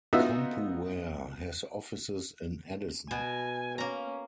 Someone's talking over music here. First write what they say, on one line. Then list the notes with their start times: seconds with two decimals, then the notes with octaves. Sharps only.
Compuware has offices in Addison.
0.13 B3 D#4 F4 F#4 E5
3.11 B2 G#5
3.78 A#3 C#4 A#5